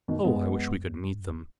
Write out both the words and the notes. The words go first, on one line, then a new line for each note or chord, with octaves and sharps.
"Oh, I wish we could meet them."
F#2 B2 D#3
F#2 G#3 B3
F#2
G#2
F#2